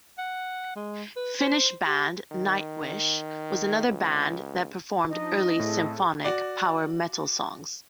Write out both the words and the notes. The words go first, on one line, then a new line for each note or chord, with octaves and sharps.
Finnish band Nightwish was another band that performed early symphonic power metal songs.
F#5
G#3
B4
C5
G4
D#3
C#2
F3 D4 D#4 D#5
A2 C4 G#4 A4
F#4 D5